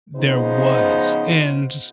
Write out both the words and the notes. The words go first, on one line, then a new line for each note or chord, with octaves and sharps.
there was, and,
C#3 F3 B3 D#4 C5